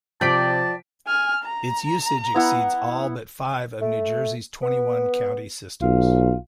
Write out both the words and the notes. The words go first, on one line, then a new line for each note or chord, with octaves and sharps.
Its usage exceeds all but five of New Jersey's twenty-one county systems.
C3 F3 D5 G5 A5 B6 D7
G#5 F6
A#5
B3 E4 F#5
A3
B3
B1 F4